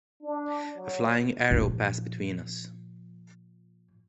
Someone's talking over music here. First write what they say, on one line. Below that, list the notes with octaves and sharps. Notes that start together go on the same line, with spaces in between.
A flying arrow passed between us.
D4
F#3
A#2 F3